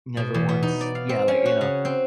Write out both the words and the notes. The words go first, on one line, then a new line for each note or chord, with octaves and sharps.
Never once Yeah, like, you know,
B2
E2
B3
D#4
D5
F5
C4
C#4
F#4
C#3
C4